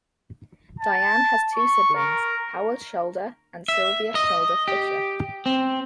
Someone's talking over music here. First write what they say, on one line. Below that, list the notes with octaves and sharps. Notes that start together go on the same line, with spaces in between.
Diane has two siblings, Howard Schulder and Sylvia Schulder Fisher.
A5
C#6
A#4
E5
D#5
G4
C4